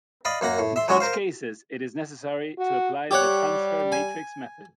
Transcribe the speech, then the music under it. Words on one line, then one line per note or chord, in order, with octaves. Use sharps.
In such cases it is necessary to apply the Transfer-matrix method.
D5 D#5 F5 B5
F#2 A#3 F#5 A#5
A2
E5 C6
F#3 G#3 C#4 F#4
A#4 C5 F5
F#4
G3 G4 C#5 F#5
G#5